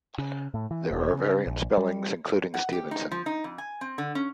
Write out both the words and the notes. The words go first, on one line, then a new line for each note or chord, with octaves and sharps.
There are variant spellings including Stevenson.
C#3
A2
E3
E1
C#3
A#1
G3
F#5
G4
D#4
F3
D#4
F2
G#5
C4
D3
C#4